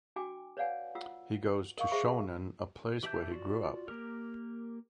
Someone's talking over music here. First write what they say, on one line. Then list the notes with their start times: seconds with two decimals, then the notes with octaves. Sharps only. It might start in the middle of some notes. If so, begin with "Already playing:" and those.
He goes to Shonan, a place where he grew up.
0.16 D4 F#4 G5 G#5 D6
0.57 B4 C#5 D5 F5 F#5 G#5
0.95 F4 F#5 E6
1.77 A#4 D#5 F5 C#6 D6
1.91 G#4 C5 E5 B5 C#6
3.03 E3 G4 E5 A5 G6
3.31 F4 F#4 D5
3.88 A#3 G4 A#4